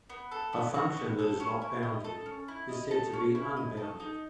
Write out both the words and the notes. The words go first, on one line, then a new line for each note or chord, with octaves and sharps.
A function that is "not" bounded is said to be unbounded.
B3
A4
B3
F#4
B3
A4
C#4
E4
D#5
A4
C#4
E4
D#5
A4
C#4
E4
D#5
A4
D#4